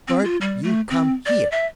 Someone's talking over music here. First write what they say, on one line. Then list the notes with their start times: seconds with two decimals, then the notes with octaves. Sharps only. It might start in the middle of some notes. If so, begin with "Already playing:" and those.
"Bart, you come here!"
0.08 C4
0.24 F4
0.41 G3
0.63 A3
0.90 C4
1.26 D5
1.52 E5